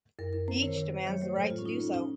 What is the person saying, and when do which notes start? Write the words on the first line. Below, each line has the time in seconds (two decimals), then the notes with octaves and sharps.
Each demands the right to do so.
0.19 F#2 A#4
0.33 F#2 A#4
0.48 C4 C5
0.58 C#5
0.62 D#3
0.68 C5
0.78 D#3
0.92 D#3
1.06 F#3 C#5
1.21 A3 C5
1.36 A2 A4
1.50 A2 F4
1.58 C#4
1.65 D#4 F4
1.80 C#4
1.95 C#4 D#4